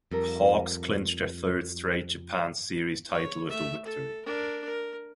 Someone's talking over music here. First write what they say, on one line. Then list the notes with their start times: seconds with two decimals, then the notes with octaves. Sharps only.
The Hawks clinched their third straight Japan Series title with the victory.
0.11 F2 G3 A4 A#4
3.11 C#5
3.50 A3 E5
3.85 A4
4.25 D4 A#4
4.64 A#4